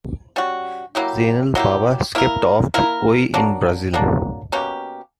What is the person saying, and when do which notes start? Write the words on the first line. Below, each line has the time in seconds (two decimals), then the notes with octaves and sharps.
Zeinal Bava skipped off to Oi in Brazil.
0.36 G3 C#4 F#4
0.95 F#3 A#3 E4 G4
1.55 F#3 A#3 E4 G4
2.15 A#3 E4 A#4
2.74 A#3 E4 A#4
3.34 F#3 A#3 D4
3.93 F#3 A#3 D4
4.52 B2 A#3 C#4 G4